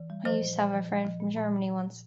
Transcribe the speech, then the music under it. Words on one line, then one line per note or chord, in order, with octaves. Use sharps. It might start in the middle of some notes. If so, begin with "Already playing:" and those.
I used to have a friend from Germany once.
Already playing: E3
G3
F3 C5
A#2
A#2
F3
A#2
F3
A#2
A#2